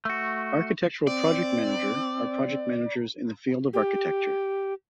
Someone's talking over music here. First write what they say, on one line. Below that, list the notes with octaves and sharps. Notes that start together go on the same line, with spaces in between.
Architectural project manager are project managers in the field of architecture.
A3 F#4
C4 D5
G4